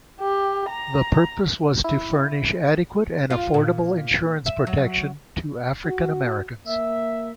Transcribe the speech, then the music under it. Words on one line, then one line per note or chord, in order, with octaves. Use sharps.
The purpose was to furnish adequate and affordable insurance protection to African-Americans.
G4
A#5
E4
F4
A#2
E5
F#3
F#4
A#3 E5